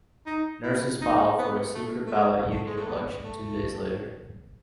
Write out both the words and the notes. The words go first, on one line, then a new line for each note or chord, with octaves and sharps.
Nurses filed for a secret-ballot union election two days later.
D#4
E4
D#4
B3
A3
A3
G#3
A3
G#3
A3
B3
A3